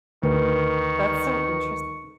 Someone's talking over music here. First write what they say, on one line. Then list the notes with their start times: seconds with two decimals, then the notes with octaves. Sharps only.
That's so interesting.
0.23 D2 D#3 A#4 B4 C#6